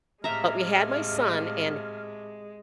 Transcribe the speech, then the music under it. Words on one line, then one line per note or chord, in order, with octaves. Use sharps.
But we had my son, and
A2 C3 G#3 A3 E5 F5 A#5 F6